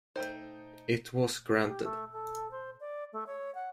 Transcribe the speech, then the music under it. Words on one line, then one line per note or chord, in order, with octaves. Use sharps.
It was granted.
A3 D#4 C5 G5 G6
G4
A3
A4
C5
D5
A3
C#5
F#5